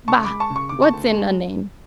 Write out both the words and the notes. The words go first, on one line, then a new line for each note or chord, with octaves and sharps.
Bah! what's in a name?
C#3 A5 C#6
B5 D6
G#3
A5 C#6
C#3
C#6
C#3 D6
A5 C#6
D2
G#3